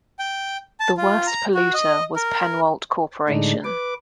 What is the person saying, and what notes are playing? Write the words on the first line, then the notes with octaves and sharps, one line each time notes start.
The worst polluter was Pennwalt Corporation.
G5
A5
F4
A#5
F#4
D#5
A#4
A2 D3 G#3 D4 D#4
B4 D6